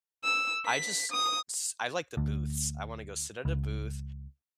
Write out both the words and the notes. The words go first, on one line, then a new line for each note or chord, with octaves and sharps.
I just s I like the booths, I wanna go sit at a booth.
E6
B6
D#6
D2
C#2